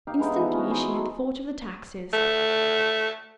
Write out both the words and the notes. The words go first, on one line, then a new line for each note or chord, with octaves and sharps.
Instantly she had thought of the taxes.
D#4 G4 F5
G#3 B3 D#4 E4
E3 F3 G3 G#3
C#4 F#4
D#4 E4 G#4 C6
A4
A3